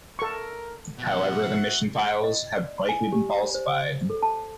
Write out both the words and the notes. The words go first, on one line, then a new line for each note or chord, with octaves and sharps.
However, the mission files have likely been falsified.
A4 A#4 C#6
B2 F3 F#4 E5 F#5
D#5
D5
G#5
G4
D5
C5
A4
A5